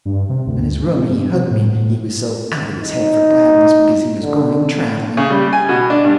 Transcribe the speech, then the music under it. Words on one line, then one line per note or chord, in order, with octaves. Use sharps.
Up in his room he hugged me, he was so out of his head for gladness because he was going traveling.
G2
C3
D2
G#2
G2
C3
A2
A2
D#4
D3
C#3
G3
G#5
B2
D4
G2